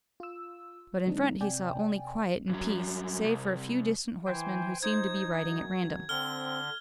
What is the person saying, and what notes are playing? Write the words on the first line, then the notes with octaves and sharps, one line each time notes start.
But in front he saw only quiet and peace, save for a few distant horsemen who seemed to be riding at random.
F4 E6
D3 F#3 G#3 C4 D4 D#4
C3 D5 G5 G#5
G2 F#3
C2
E3 C5 G5 G#5
D#4 C5 G#6
F#2
D3 C4 F6 G7